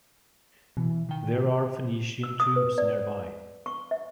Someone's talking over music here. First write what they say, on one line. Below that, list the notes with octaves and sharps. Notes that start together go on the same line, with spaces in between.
There are Phoenician tombs nearby.
B2 E3
D#3 G5
E6
D#6
B4
D5
C#6
E5